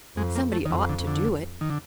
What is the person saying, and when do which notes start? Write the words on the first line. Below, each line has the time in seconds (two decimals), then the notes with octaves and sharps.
Somebody ought to do it.
0.16 F2 G#3
0.36 A#3
0.53 A3
0.65 D#3
0.71 F2 E3
0.89 D3
1.07 D3
1.61 D#3
1.70 D3